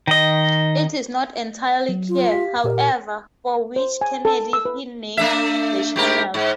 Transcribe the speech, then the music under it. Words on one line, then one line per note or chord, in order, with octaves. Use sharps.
It is not entirely clear, however, for which Kennedy he named the channel.
D#3 D#5
F#3
F4
G4 F5 B6
A#2 G4 A#4
C5
G#5
A4
E6
B4
A3 D4 E5
G#2 G4 A#4
G#2